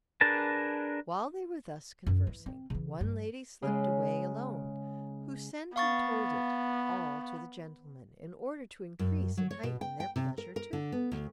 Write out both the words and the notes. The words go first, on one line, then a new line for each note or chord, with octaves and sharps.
While they were thus conversing, one lady slipped away alone, who sent and told it all to the gentlemen, in order to increase and heighten their pleasure too.
D4 G#4 A#4 B4 A5
F#2
E3
C4
C#3 E3
G2
C#3 G#3
B3 F5 C#6 A6
F#2
F#3
C#5
B2
G5
G5
C3
A#4
A#4
D3
B3
D2